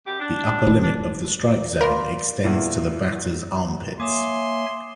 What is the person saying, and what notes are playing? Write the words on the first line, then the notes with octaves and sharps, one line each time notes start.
The upper limit of the strike zone extends to the batter's armpits.
F#2 G4
D4
D#1
D4
A#4 D5 F5 B5 C6
E2 A#2 E4
A#3 C#5 E5 G#5 C6 D6 D#6 E7